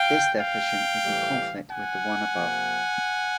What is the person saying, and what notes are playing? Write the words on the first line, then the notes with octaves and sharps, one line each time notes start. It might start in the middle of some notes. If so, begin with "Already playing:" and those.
This definition is in conflict with the one above.
Already playing: F5 G5
F5 G5
A2 E3 G3
F#5 G#5
C3 F3 A#3